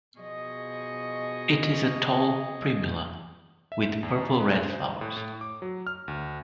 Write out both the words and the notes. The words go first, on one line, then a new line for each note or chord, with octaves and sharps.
It is a tall Primula with purple-red flowers.
B2 F3 G#4 D#5 C#6
E5
E2
G#3
C5
A2
A2
D6
F#3
F6
D2